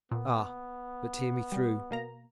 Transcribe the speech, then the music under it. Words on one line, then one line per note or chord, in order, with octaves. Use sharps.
Ah, but hear me through.
A#2 B3
G3
B2 A#3 A#5